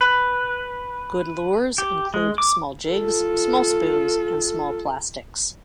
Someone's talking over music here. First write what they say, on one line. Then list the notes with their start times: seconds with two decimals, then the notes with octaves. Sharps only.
Good lures include small jigs, small spoons, and small plastics.
0.01 B4
1.78 G4
2.14 G#3
2.38 D6
2.88 F4 A4